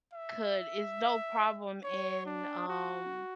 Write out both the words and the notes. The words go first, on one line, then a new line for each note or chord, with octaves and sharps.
could, it's no problem in, um
E5
C#5
D4
F#4